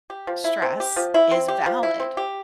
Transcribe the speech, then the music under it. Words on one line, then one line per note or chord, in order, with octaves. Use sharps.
stress is valid.
G4
F3
E4
C4
G4
F3
E4
C4
G4
F3
E4
C4
G4